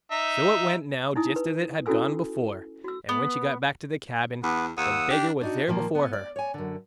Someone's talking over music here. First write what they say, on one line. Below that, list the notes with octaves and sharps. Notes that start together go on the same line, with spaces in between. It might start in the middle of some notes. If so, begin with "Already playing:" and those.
So it went now just as it had gone before, and when she got back to the cabin, the beggar was there before her.
D#4 E5
D#4 E4 G#5 D#6
B4
C#4 E4 F#4 A4 G#5 E6
F#4 E6
B3
E2 B3 B4
D#2 F#5 D#6 E6
D4 G4
D4 D#4 F#4
A#2 D#3 F3 A#3
B3
D5
C#5 G#5
F#2 D3